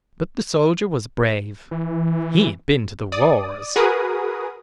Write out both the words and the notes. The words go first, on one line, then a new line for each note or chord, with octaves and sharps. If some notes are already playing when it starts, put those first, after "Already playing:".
But the soldier was brave; he had been to the wars.
E3
D5 D#6
F#4 G#4 A#4 B4 D#6